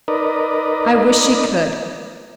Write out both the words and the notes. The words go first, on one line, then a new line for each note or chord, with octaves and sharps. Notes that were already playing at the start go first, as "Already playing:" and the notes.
I wish she could.
D#4 A#4 B4 D5 D#5